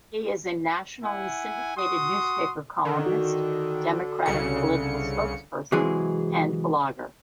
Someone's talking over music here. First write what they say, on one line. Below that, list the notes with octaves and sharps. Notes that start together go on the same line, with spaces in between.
He is a nationally syndicated newspaper columnist, Democratic political spokesperson, and blogger.
E4 F#5 G#5
F#4 C6 D#6
D3 D#3
F#4
C2 C#3 C#7
C3 E3 F#3 G#3 G#4